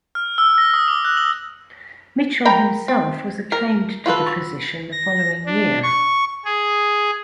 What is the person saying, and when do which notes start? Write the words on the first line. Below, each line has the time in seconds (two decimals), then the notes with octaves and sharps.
Mitchell himself was acclaimed to the position the following year.
0.15 F6
0.38 E6
0.58 A#6
0.74 D#6
0.88 D6
1.05 F#6
1.17 F#7
2.45 A#4 G5 A#5 B5
2.88 C4
3.52 A#4
4.06 F4 F#4 A4 B4
4.92 A#6
5.46 D4
5.83 C#6
6.45 G#4